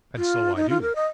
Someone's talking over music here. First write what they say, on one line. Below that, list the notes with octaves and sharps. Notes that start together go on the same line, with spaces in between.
'And so I do.
F4
D#4
F4
A#4
D#5